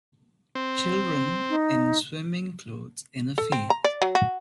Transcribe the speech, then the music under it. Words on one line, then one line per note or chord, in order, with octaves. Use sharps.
Children in swimming clothes in a field.
C4
D#4
A4
C4
A#5
D5
F#3
F#4